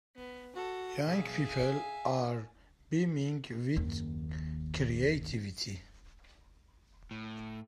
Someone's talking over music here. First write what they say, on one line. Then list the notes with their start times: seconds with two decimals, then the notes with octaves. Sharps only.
Young people are beaming with creativity.
0.16 B3
0.56 F#4 A4
1.07 B1 G#4 E5 F5
1.49 G#5
3.76 F#1 D#2
7.11 A2